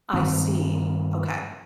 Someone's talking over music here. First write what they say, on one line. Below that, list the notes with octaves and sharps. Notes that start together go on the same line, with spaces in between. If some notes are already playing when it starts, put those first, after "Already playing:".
I see, okay.
G2 D#3 C4